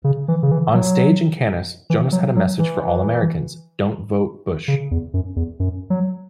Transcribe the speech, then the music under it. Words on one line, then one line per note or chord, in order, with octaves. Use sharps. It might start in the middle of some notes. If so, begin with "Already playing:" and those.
On stage in Cannes, Jonas had a message for all Americans: "Don't vote Bush".
C#3
E3
C#3
E3
F#3
E3
F#3
F#3
E3
C#3
E2
F#2
E2
F#2
F#3